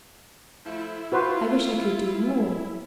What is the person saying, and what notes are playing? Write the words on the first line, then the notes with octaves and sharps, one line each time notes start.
'I wish I could do more.'
F3 A3 E4
F4 F#4 B4 C5